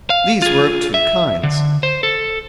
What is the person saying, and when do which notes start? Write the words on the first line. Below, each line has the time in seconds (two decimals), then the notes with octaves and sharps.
These were of two kinds.
0.10 F5
0.42 F4 G#4
0.94 E5
1.43 D3
1.83 C5
2.03 A4